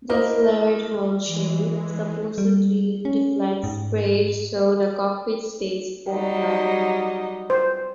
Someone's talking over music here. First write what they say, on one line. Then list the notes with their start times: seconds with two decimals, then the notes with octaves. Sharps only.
The flared hull shape supposedly deflects spray so the cockpit stays bone dry.
0.09 E4 A#4 C5 D#5 F5 D6
1.25 E3 G#3
2.38 G3
3.05 C#4
3.64 G#2
6.09 F#3 G3 D#4
7.50 C5